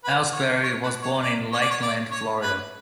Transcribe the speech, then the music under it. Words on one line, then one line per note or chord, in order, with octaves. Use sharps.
Elsberry was born in Lakeland, Florida.
B4
C#5
C#5
B4
C#5
D5
C#5
D5
C#5
D5
C#5
B4